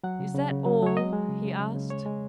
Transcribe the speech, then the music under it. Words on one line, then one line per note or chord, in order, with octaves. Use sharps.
"Is that all?" he asked.
F#3 F#5
C#3
C#3
C#3
F#3
F#3 C#5
G#3 D#5
G#3
C#3
C#3
C#3
C#3
G#3 C#5
G#3